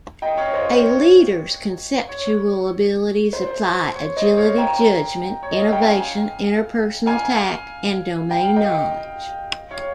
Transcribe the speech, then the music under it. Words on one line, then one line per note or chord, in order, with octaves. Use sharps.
A leader's conceptual abilities apply agility, judgment, innovation, interpersonal tact, and domain knowledge.
D#5 G5
C#5 F5
C5 D#5
C#5
C#5
C#5
C5
C#5
C5 D#5
C#5 F5
G5 A#5
C#5
D#5
F5
G5
F5 G#5
F5 G#5
G5
F5
D#5 G5
C#5 F5